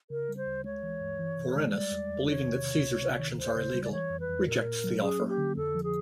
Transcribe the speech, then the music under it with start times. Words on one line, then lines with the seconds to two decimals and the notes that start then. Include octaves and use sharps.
Vorenus, believing that Caesar's actions are illegal, rejects the offer.
0.10 C#3 A#4
0.29 G3
0.37 C5
0.46 D2
0.64 G#3 C#5
0.83 E3
1.01 G2
1.19 E3
1.37 C3
1.55 G#3
1.73 G3 D5
1.92 E2
2.10 E2
2.29 D#3 C#5
2.47 C3
2.65 C3
2.83 C#2
3.01 C3
3.19 D#3
3.38 D#2 C5
3.56 C#3
3.74 G3
3.83 D5
3.92 E3 C#5
4.10 F2
4.20 B4
4.29 F2
4.47 A#2 A#4
4.65 A#2
4.84 F#3
5.02 C#4 G#4
5.20 A#3
5.28 G4
5.38 D3
5.56 F2 A4
5.75 F3
5.84 G#4